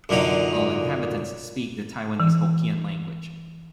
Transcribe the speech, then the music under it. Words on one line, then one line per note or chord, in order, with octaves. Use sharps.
All inhabitants speak the Taiwanese Hokkien language.
F#2 A#2 D3 F#3 D#4
E3